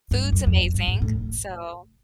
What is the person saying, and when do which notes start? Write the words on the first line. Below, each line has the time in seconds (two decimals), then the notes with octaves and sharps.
Food's amazing, so
0.11 G2
0.32 F#2
0.46 F2
0.74 G2
0.88 G#2
1.02 A2